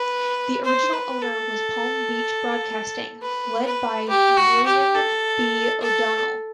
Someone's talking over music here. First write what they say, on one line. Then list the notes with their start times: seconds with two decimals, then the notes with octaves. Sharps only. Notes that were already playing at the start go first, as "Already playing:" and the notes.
The original owner was Palm Beach Broadcasting, led by William B. O'Donnell.
Already playing: B4
0.64 C5
0.93 B4
1.22 A4
3.22 B4
3.66 B4
4.09 G4
4.37 F#4
4.66 G4
4.94 A4
5.81 A4